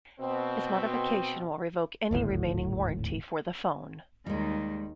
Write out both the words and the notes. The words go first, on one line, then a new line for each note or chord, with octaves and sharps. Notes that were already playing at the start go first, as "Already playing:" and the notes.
This modification will revoke any remaining warranty for the phone.
B2 C4
D#1 G#1 D2 A2
D#2 D#3 G3 G#3